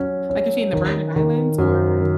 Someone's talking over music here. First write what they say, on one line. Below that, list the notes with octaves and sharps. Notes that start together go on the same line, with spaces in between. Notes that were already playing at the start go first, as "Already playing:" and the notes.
Like is she in The Virgin Islands or
Already playing: F#3 C#4
C#4
D#3
D#3
F#2
D#3